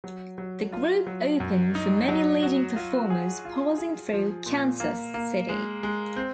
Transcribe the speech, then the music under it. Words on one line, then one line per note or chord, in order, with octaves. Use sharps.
The group opened for many leading performers passing through Kansas City.
F#3
F#3
F4
F#3
F#2
D#4
F#3
F#4
F4
G#4
F4
G#4
F3
A#2
A#3
A#3
G#3
G#3
C4